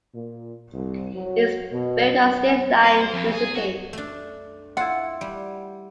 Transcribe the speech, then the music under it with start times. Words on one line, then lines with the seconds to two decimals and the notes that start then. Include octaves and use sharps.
He is buried at State Line, Mississippi.
0.14 A#2
0.74 C2
1.14 F#3
1.72 B2
2.23 B3
2.84 B4
3.00 C5
3.13 F2
3.32 G#4
3.55 F#4
3.93 A3 D4
4.77 E4 F4 F#5
5.21 G3